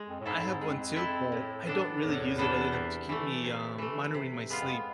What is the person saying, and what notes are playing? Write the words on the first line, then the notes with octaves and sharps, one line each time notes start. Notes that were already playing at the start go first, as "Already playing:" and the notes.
I have one too, but, I don't really use it other than to keep me, um monitoring my sleep.
Already playing: G#3
F2
A2
G#2 C4 E4 A4
F2
G#2
F2 G#3
C4 E4 A4
A2
E3 B3 D4 A4
E2 A2
E3 B3 D4 A4
C3
E3 A3
C3
E3 A3
C3
G#3 B3 F4
F2